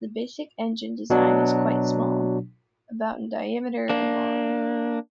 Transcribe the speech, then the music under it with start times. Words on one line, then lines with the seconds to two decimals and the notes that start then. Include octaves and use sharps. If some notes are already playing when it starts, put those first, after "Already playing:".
The basic engine design is quite small, about in diameter, and long.
1.10 B2 F#3 D4
3.89 A#3 D4